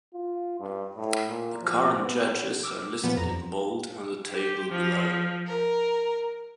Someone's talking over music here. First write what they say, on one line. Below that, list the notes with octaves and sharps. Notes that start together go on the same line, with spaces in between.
The current judges are listed in bold on the table below.
F4
G2
A2
A#2
F3
B3
D6 E6 F6
A#2 F3 B3
F2 A#5
G4
F3
A#4